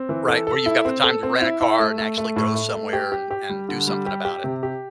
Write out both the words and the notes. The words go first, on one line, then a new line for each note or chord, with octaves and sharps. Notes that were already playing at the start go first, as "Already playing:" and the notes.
Right, where you've got the time to rent a car, and actually go somewhere and and do something about it.
Already playing: C4
E3
A4
A4
E4
C4
A4
C4
E4
E4
A3
A3
A3
A2
A3
A3
G4
G4
G4
G3
D3
G3
G4
G4
C3
G4